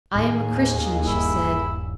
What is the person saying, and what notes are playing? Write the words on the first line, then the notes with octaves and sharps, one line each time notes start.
'I am a Christian,' she said.
D#2 A2 G#4
D#1 G2 G3 E4